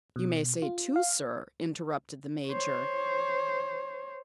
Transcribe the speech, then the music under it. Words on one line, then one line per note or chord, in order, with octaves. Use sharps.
"You may say two, sir," interrupted the Major.
B2
F4
F5
C5 C#5